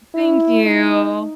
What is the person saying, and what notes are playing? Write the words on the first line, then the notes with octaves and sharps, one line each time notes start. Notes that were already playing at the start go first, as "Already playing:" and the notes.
Thank you.
E4
D#4